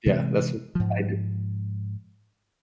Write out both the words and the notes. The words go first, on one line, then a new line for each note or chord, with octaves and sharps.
Yeah, that's what I do.
C3 E3 G#3 C4
G#2 F3